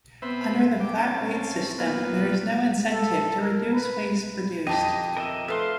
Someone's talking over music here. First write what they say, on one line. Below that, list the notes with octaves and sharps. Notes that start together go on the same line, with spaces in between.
Under the flat-rate system there is no incentive to reduce waste produced.
B3 C4 C5 E5 B5
G5 D6
C4 C#4 A5
A#3 B3 F4 B4
A4
A#4
B4
F2 G4 D#5 A5 A#5
A#4 D#5 E5
A3 B4 C5 E5 F5 C6